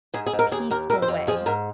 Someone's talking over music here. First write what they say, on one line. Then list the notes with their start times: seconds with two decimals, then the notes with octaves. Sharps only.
peaceful way,
0.14 G#2 G#4
0.26 G#4
0.33 G#2
0.39 A#4
0.51 D#2 G#4
0.71 D#2 A#4
0.90 F2 A#4
1.02 C5
1.08 F2
1.27 F3 G#4
1.46 G#2 A#4